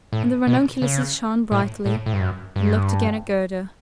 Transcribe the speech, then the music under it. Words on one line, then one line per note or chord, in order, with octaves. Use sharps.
And the Ranunculus shone brightly, and looked again at Gerda.
A2
B2
C#3
A2
A2
A2
G2
F#2
G2